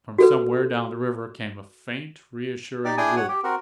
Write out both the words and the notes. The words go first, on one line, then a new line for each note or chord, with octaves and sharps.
And from somewhere down the river came a faint reassuring whoop.
F#4 A4 B4
D#4 G4 D5
D4 E4 G#4 G5 G#5 D#6
C#5 F#5
G4
C4 F#4 A#4